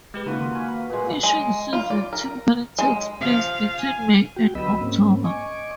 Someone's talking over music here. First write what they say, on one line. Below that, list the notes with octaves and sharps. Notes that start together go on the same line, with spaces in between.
Fishing season typically takes place between May and October.
G#3 G4 B4
C#3 A#3 D#4 F4 F#4 B4
D#3 C6
G#5 C#6 F6
B5
A#2 G#3 B4
G#3
F4
D5
A#4
G#3
F3 F5
G#5
F#4 G5
D2 F#3 B3 D#5 B5 E6
G#2 A#3 C4 C#4
D#5 G#5 C#6 D6